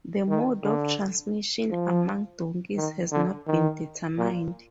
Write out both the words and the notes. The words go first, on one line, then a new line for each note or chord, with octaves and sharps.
The mode of transmission among donkeys has not been determined.
D#3
D3
F3
D#3
D3
D#3
A#2